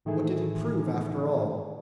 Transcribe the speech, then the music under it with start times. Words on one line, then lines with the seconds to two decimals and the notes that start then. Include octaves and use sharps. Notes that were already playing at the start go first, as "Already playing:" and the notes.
What did it prove after all?
0.05 A2 D#3 E3 A3 E4 G#4